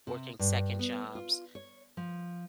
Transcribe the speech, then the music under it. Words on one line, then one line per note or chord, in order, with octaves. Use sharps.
working second jobs,
C3
G2
B3
F4
C#5
F3